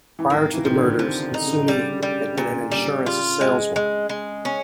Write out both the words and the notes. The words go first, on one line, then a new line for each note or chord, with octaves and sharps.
Prior to the murders, Masumi had been an insurance saleswoman.
E3
D#3 A#3
E3
D#3 F3
D3
C3 F3
C3
D#4
C#3
C#3 G3
D3
C#3
D3 G3
C#3
D3
C#3
A#2 D3
C#3
D3
C#3 G3
C#3 F4
G#3
G#3
G#3
C#4